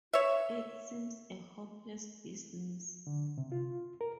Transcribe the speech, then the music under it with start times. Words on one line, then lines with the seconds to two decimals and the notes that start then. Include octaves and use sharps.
It seems a hopeless business.
0.13 C#5 E5
3.07 D3
3.38 C3
3.52 F4
4.01 A#4